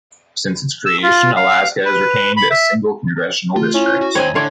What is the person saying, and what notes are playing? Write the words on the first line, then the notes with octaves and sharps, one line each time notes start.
Since its creation, Alaska has retained a single congressional district.
E6
F4
F5
B4
B5
E5
A3 F4
C#4 E4
F#4
D#2 C4 C#5 D#5 G#5 B5
A2 D3 F4 C#5 D5